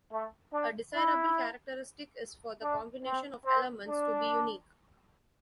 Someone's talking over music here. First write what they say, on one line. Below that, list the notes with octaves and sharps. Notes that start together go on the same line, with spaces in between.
A desirable characteristic is for the combination of elements to be unique.
A3
D4
E4
D4
C4
C4
D4